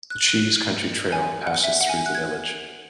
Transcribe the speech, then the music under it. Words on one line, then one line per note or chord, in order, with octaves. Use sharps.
The Cheese Country Trail passes through the village.
F#6
F#6
G#5
F#5
E5
F#5
G#5
F#6
G#6